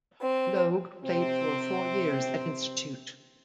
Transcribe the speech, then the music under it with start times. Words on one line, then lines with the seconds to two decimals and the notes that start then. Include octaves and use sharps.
Logue played for four years at Institute.
0.22 C4
1.04 C3 C4